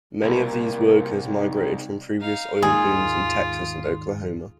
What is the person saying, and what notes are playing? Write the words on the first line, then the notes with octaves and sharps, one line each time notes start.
Many of these workers migrated from previous oil booms in Texas and Oklahoma.
C2 A#3
D#4
D#4 F5
D#2 G#2 D#3 F4 G#4